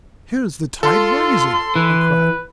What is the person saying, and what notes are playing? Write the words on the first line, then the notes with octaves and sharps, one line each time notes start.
"Here is the tide rising," I cried.
F4 A4 C6
E3 B4